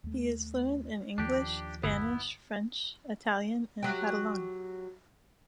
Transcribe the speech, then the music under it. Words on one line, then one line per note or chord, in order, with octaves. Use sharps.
He is fluent in English, Spanish, French, Italian and Catalan.
D#2 A3
D#2 D#3 F3 D4 G4
G1 B3 E4
F#3 G4